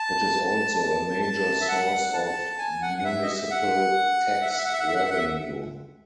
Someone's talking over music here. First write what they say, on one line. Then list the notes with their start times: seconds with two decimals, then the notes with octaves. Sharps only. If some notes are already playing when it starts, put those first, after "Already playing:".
It is also a major source of municipal tax revenue.
Already playing: A5
0.76 A5
1.22 A5
1.61 E5
1.68 F#5
2.13 A5
2.59 G#5
2.82 F#5
2.98 F#5
3.04 E5
3.22 D#5
3.28 E5
3.50 F#5
4.41 E5
4.49 F#5
4.57 E5
4.65 F#5
4.72 E5
4.80 F#5
4.87 E5
4.95 F#5
5.03 E5
5.10 F#5
5.18 E5